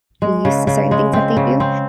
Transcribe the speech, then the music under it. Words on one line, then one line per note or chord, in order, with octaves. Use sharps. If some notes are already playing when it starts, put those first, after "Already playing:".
used to certain things that they do,
G#3
C#3
C#3
G#3
C4
C#3
C4